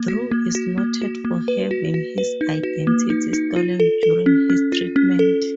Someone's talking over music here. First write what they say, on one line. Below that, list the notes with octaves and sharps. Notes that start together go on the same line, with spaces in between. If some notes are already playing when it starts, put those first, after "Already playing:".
Drew is noted for having his identity stolen during his treatment.
Already playing: A#3
F#4
A#3
F#4
A#3
F#4
A#3
B4
F#4
F#4
B4
D#4
F#4
A#3
D#4
D#4
F4
A4
A4
C#4
C#4
F4
C#4
A4